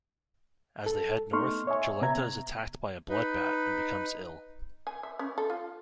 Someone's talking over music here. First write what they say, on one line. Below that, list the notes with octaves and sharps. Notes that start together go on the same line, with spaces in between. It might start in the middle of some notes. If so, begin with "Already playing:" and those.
As they head north, Jolenta is attacked by a "blood bat" and becomes ill.
A4
A3 B3 D#4 C6 C#6 F6
C#5 D#5 E5 G#5 C#6
C3 B3 E5 A#5 G#6
D#4 B4
G#5
E5
C#4
A4
F4